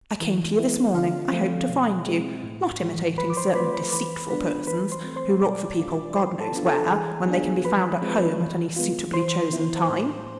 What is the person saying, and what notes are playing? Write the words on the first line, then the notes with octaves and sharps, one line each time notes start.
I came to you this morning, I hoped to find you, not imitating certain deceitful persons who look for people, God knows where, when they can be found at home at any suitably chosen time.
E3
G#3 B3 E4
D3 F4 F5
F3 A3 C4 F4
B2
G#3 C4 E4
A2
E3 G#3
F3 B4 B5
D6
C5 C6
A3 C4 F4 B4 B5
B4 B5
E3 B4 B5
G#3 B3 D4 F4 B4 B5
E3 B4 B5
C5 C6
A3 C4
C5 C6
B2 D5 D6
G#3 D4 F4
F3 C5 C6
A4 A5
B3 D4 F4
A4 A5
E3 G#4 G#5
B3 D4 F4
F3 B4 B5
G#3 C4 F4
E3
G#3 B3 F4
E3 C5 C6
B3 E4
A2